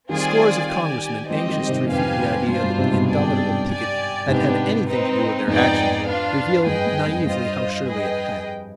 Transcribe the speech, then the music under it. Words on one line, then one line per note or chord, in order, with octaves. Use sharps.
Scores of Congressmen, anxious to refute the idea that the indomitable picket had had anything to do with their action, revealed naively how surely it had.
D#3 G3 C4 F4 G#4 D5 G#5
G4 D5 G#5
F3 G#3 C4 G4 C5 D#5
D#3 G3
G#2 C3
F2 C4 G4 B4 F5 G#5
G2 D4 F4 C5
G2 B2
G#2 C3
G2 B2
D4 G#4 D5 G5
G4 D5 G#5
G#2 C3 B3 D4 G4
C4 D#4 B4
F2 G#2 B3 D#4 G#4 D5 G5
D4 F4 B4 F5
G2 G#4 B4 D#5 G5
G2
F2
G2 F4 C5 D#5
G#4 B4 D#5 G5